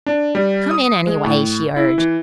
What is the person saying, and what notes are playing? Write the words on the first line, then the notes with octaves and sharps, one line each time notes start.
"Come in, anyway," she urged.
D4
G3
D#6
G#3
A2
E4
E3